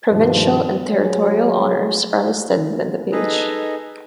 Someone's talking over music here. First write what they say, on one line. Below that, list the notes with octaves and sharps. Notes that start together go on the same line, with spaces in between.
Provincial and territorial honours are listed within the page.
G2 B2 D#3 F3
F#3 G#4 C#5
D#4 G#4 A4 B4 D#5